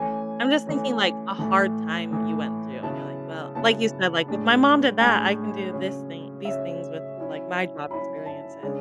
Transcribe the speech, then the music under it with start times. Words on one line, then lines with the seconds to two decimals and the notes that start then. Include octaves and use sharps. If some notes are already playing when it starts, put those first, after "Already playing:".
I'm just thinking, like, a hard time you went through, and you're like, "Well" like you said, like, "If my mom did that, I can do this thing these things with, like, my job experiences."
Already playing: E3 A3 C#4 G#5
0.66 E3 A3 C#4
1.38 A2 E3 A3 A5
2.11 A2 E3 A3
2.83 C#3 F#3 B3 E4 A5
3.55 C#3 F#3 B3 E4 A5
4.28 A2 G#3 D4
5.00 A2 G#3 D4 G#5
5.73 C#3 F#3 C#4
6.45 C#3 F#3 C#4 E5
7.17 F#3 C#4 E4
7.90 F#3 C#4 E4 B5
8.26 A5
8.63 C#3 G#3 D4